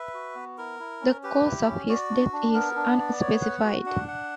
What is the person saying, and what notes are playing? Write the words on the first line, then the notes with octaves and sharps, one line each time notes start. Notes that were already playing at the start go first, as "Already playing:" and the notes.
The cause of his death is unspecified.
Already playing: B4 E5
F#4
B3
E4 A#4
E4
C#4
G4 B4
E4
C#4
F#4 D5
D4
D4
B3 A#4
D4
D5
C#5
F#5
F#4
D4 F#5
F#5